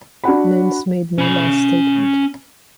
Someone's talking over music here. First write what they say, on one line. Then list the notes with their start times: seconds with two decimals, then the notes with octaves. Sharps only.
Nance made no last statement.
0.24 D4 F#4 F#5 B5
1.18 C#4 B5